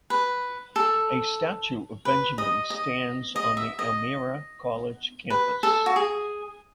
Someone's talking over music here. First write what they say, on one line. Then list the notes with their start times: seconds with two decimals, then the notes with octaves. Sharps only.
A statue of Benjamin stands on the Elmira College campus.
0.10 B4
0.76 A4
2.05 B4
2.38 D#5
2.70 D#5
3.36 D#5
3.57 E5
3.79 D#5
5.30 B4
5.63 A4
5.86 F#4
5.96 G#4